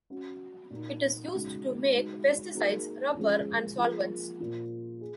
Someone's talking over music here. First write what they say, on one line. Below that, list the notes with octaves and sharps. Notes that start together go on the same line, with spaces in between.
It is used to make pesticides, rubber, and solvents.
F#3 C#4 F#4
A#2 F#3 A#3 D#4
C#3 G#3 D#4 F#4
G#3 D#4 F#4
F#3 A#3 D#4 G#4
F3 G#3 C#4 G#4
F3 A#3 F4 G#4
A#2 F3 A#3 F4
G#4